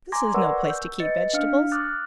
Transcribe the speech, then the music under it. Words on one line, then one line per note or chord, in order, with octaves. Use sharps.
This is no place to keep vegetables.
G#5 A#5 C6 D6 G#6 A#6
A#4 B4 D5 F#5 C#6 E6
E6 G6
B4 D#5 A6 C#7
D4 F5 F6 C#7
D6 D#6 F6 F#6 A6